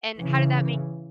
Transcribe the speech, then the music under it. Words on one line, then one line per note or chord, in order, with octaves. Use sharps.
And how did that make
C#3 E3